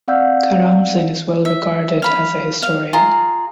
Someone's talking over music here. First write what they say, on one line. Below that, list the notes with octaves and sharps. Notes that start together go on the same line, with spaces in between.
Karamzin is well-regarded as a historian.
C4 D5 F5 F#5 E6 G6
E5
F5 B5
F5
F4 G#4 A#5